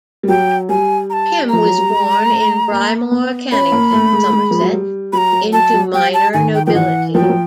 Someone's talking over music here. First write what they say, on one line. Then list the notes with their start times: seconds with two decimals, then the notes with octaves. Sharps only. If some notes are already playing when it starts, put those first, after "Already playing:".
Pym was born in Brymore, Cannington, Somerset, into minor nobility.
0.23 G3
0.28 F#3 G5
0.69 G3 G#5
1.10 A#5
1.13 A5
1.50 F3 A#5
1.65 F#3
1.78 G3
1.91 G#3
2.30 A3
2.71 A#3
3.11 B3
3.52 C#4 B5
3.72 A#3
3.93 A3
4.13 G#3
4.25 A3
4.33 G#3
4.51 F3
4.61 F#3
4.73 G3
5.13 F#3 A#5 B5
5.33 F#3
5.53 F#3 A5
5.74 F#3
5.93 G3 G5
6.14 A5
6.34 D#3 G#5
6.55 G5
6.66 F3 G5
6.75 E3 F#5
7.15 F3 G5
7.22 F#3
7.30 F3